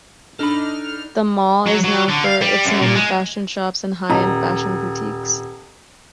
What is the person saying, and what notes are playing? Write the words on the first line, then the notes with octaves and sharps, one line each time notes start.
The mall is known for its many fashion shops and high-end fashion boutiques.
D4 D#4 A4 B5 F6
F#3
F#3
D3
F5
G3
F#2
A#2
G#3
D#1 A#5